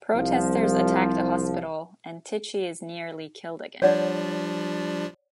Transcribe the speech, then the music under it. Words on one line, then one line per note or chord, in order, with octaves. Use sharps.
Protesters attack the hospital, and Tichy is nearly killed again.
C2 F3
F3 G3 D4 C#5 D5 F#5